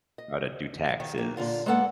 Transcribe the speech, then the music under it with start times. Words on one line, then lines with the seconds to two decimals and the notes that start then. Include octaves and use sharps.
How to do taxes.
0.18 D#5
1.00 D#3
1.18 A#3
1.37 A#2 D3 F4
1.66 G#3 A#3 B3 A4 E5 F#5